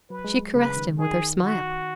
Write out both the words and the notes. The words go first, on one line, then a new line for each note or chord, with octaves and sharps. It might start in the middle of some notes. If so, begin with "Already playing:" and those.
She caressed him with her smile.
F#3 B4
G#3
C#3 B4
D#3
D#3 G#4
F#4